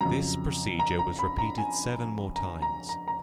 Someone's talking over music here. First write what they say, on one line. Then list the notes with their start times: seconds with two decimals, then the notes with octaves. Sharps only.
This procedure was repeated seven more times.
0.01 F2 C#3 F#3 A#5
0.79 A#5
0.99 A#5
1.19 B5
1.38 A#5
1.58 G#5
2.36 A#5
2.62 A#5
2.89 A#5
3.08 A#5